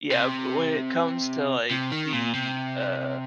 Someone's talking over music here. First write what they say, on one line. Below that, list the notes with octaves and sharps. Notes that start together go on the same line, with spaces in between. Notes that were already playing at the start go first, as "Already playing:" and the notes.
Yeah, but when it comes to, like, the, uh,
C3
C3
D#3
A#2
C3